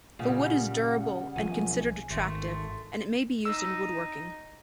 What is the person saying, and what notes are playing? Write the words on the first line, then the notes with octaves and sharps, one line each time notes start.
The wood is durable and considered attractive, and it may be used in woodworking.
A#2 C#3 G3 F#5
B1 F3 G#5
G#1 A3 C6
D#4 E6